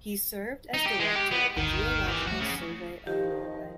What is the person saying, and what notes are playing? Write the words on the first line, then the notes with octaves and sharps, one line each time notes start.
He served as director of the Geological Survey of Norway.
D#4
G4
G#3
G4
B3
G1 D2 D#3
E3 G4
F3 A3 F#4
C#3
D#3 F3 G4 D#5